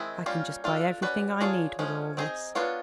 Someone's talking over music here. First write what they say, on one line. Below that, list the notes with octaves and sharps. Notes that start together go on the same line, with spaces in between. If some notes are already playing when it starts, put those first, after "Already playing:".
"I can just buy everything I need with all this."
Already playing: D#3 G#3 C4 E4
G3 A#3 C#4 F4
D4 F4 A4
C#4 F#4 B4 D5
D4 F4 G#4 C#5
F3 G#3 C#4
C4 D#4 G#4 C5 D#5
B3 D4 F4 A#4 C#5